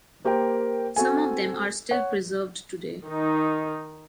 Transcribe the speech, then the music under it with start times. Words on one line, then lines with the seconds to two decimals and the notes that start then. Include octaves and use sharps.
Some of them are still preserved today.
0.25 A#3 G4 A#4 C5 G5
0.96 C4 F#4 A4 G#5
1.91 C#5 F#5
3.07 D#3 D#4